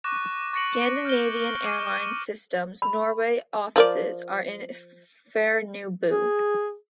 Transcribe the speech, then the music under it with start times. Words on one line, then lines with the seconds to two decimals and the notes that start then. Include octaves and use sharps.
Scandinavian Airlines System's Norway offices are in Fornebu.
0.04 C#6 D6 F#6 A6 A#6 E7
0.53 C#6 A6 A#6 C#7 D7 F#7
1.05 F6 G6 A#6 D7 G7
1.66 D6 F6 D#7
2.82 B5
3.76 F3 A#4 D5
6.09 G#4